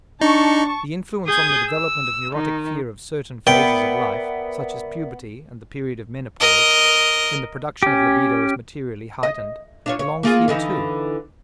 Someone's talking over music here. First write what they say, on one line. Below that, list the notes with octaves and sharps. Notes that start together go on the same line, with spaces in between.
The influence on the development of neurotic fear of certain phases of life, such as puberty and the period of menopause, when the production of libido is materially heightened, belongs here too.
D4 D#4 A5 C#6
G#4 D#6 G6 G#6
E6
D#3 D#4
B3 A#4 D5 E5 G5
A#4 D#5
C#4 G4
D#5
D4 F4 C#5
C#5
A#3 F4 G#4
D3 E3 D#4